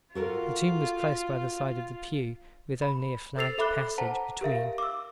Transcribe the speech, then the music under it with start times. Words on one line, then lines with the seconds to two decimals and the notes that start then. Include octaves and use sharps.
The tomb was close by the side of the pew, with only a flagged passage between.
0.15 F4 F#4 A4 A#4
2.82 B5
3.37 A4 C5 E6 A6 C7 F7
3.58 A4 E5 B5 D6 F#6 G7
3.98 C5 F#5 A5 A#5
4.41 G4 A#4 E5 F5
4.78 D6 E6